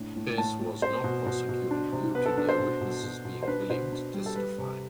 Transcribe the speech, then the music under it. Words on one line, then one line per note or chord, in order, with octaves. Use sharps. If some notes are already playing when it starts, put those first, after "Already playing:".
The case was not prosecuted due to no witnesses being willing to testify.
Already playing: A2 D4
A2
A2 A5
A2
C4 C5
B2
B2
B2
D4
C3
B3 B4
A4
D4 B4
C5
B2
B2
B2
B2
C5
D4 B4
B2 C5
D4
G3
A4
G3 B4
C3